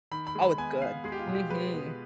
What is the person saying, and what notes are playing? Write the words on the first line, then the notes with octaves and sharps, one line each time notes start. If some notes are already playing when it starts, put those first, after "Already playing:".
Oh, it's good. Mhm.
D#3 B5
B5
G#3
B5
B3 G#5
B3 F5
G#3 G#4
G4
F4
B2
G4
G#3 B4
B3